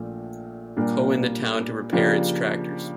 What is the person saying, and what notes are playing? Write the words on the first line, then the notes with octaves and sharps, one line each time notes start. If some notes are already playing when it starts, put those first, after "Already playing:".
Co in the town to repair its tractors.
Already playing: A#1 A#2 A3
A#2 G3 A#3 D4 G4
C#3 F3 A#3 D4 G4